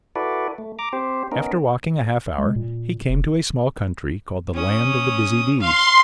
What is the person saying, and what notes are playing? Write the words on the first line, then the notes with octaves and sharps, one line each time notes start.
After walking a half hour, he came to a small country called the Land of the Busy Bees.
E4 F#4 A4 B4 D5
A3
A#5 D6
C4 G4 C5
B3 C#4 D#4 A#4
G#3
A#2
F1
C#4 D#6
F5 C6